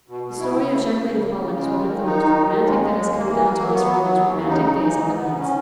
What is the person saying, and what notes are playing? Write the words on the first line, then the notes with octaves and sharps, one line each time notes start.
The story of Jacqueline of Holland is one of the most romantic that has come down to us from those romantic days of the knights.
B2
B2
E4
C#3
C#3
C#3
C#3
C#3
C#3
C#3
G#3
D#3
D#3
D#4
D#3
D#2
D#2
G#3
G#3
D#2
A#3
E3
A#3
F#3
B3
F#3
F#3
D#2
C#3
D#4
D#4
E3
G#2
B3
G#2
C#4